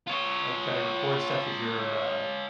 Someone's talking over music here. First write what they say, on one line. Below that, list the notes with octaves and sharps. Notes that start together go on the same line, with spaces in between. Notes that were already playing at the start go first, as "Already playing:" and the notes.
like try to record stuff with your, uh,
F4 C#5